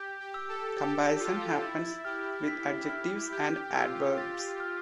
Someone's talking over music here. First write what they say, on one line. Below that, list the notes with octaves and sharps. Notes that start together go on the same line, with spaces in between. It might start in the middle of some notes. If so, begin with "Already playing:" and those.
Comparison happens with adjectives and adverbs.
Already playing: G4 G6
G4
E6
A4
G4 A6
F4 E6
E4 A6
G4 F6
B6
F6
G4 G6
F4 E6
G4 A6
F6